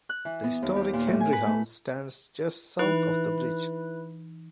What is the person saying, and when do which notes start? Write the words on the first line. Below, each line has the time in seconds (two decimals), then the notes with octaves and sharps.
The historic Henry House stands just south of the bridge.
0.09 F#6
0.25 E3
0.44 B3
0.62 D#2
0.76 G4
0.93 A#2
1.07 A2
1.20 G#5
1.33 B4
1.46 A3
2.79 E3 D#4 E4 B4 F#6